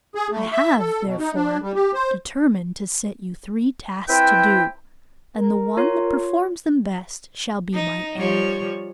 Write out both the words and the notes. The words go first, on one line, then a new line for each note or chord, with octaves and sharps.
I have, therefore, determined to set you three tasks to do, and the one that performs them best shall be my heir.
G#4
A3
E5
A4
B2
D#4
D4
G3
G4
C5
C4 E4 B4 E5 G5
A#4
F4 C#5 C7
D#4
F3 G3 C#5